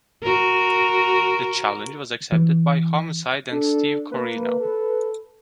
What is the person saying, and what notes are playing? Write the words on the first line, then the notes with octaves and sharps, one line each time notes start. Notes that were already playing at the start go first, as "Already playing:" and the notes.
The challenge was accepted by Homicide and Steve Corino.
F#4 A#4
E3
D4 A4
A#3 B4
A4